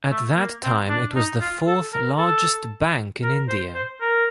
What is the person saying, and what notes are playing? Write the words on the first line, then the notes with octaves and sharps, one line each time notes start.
At that time it was the fourth largest bank in India.
A3
A#3
C4
D4
D#4
F4
A4
A#4
A4
A#4
C5
C5
A#4